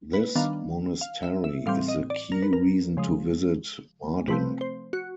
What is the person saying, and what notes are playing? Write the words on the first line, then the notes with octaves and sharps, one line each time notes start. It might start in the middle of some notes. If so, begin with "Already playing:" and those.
This monastery is the key reason to visit Mardin.
B4
D#3 G3 B3 D4 F5
F5
E5
E5
A2 E3 G3 C4 F5
D#5
D5
A#4
B4
A#4
C#3 F3 G#3
C3 F3 A3 C4 B4
C5
F#4